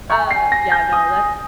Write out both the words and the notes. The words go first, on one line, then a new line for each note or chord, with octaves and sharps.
Uh. Yeah, no. That's
A#5 C#6
G#5
G5
C7
G#5
A#6
G6
D#6